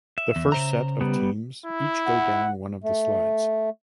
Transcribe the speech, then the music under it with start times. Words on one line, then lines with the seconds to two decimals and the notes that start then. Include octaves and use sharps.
The first set of teams each go down one of the slides.
0.18 E5
0.36 E2
0.52 C#3 C5 A#5
1.01 G3 B3
1.66 E4
2.06 F#5
2.84 A3